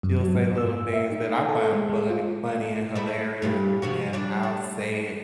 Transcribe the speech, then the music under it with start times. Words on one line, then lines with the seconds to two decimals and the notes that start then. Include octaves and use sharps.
she'll say little things that I find funny funny and hilarious, and I'll say it
0.03 F#2
0.20 F#3
0.35 G#2
0.58 E6
0.93 E5
1.12 D#4
1.33 A#5
1.49 A4
1.73 G#3
1.90 G#3
2.10 F4
2.95 A3 E4
3.42 G2 A#2 G3
3.82 C3 F3 F#4
4.13 G3 D4 D5
4.43 D4